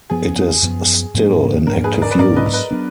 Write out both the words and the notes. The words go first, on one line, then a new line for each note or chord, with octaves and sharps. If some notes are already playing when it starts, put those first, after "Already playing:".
It is still in active use.
F#2 F3 B3 G#4
F#2 F3 B3
G#2 F3 A#3 D4
G#2 F3 A#3 D4 A#4
G#4 B4
A#4 D5
B4
G#2 F#3 B3 D4 A#4 D5
B4 D#5
B4 D#5
F#3 B3 D4